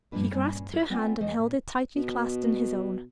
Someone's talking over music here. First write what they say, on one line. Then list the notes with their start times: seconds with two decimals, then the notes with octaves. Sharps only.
He grasped her hand and held it tightly clasped in his own.
0.12 G2 A#2 F3 A#3 D4 B4
0.32 G2 A#2 C#4
0.73 F4 A#4 C#5
0.90 B3 C4 F4 D5 G5 G#5
1.21 E2 A3 C5 D#5
1.39 A#2
1.96 B2